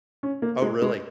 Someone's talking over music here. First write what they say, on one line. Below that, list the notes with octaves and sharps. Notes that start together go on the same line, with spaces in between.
Oh, really?
C#4
A#3
G#3
G#3